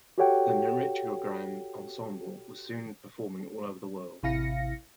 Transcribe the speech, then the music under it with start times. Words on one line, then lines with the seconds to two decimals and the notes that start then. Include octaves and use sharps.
The Nrityagram ensemble was soon performing all over the world.
0.18 F#4 G4 A4 C#5 F#5 G5
4.23 A1 C3 E4 F5 A#6 C#7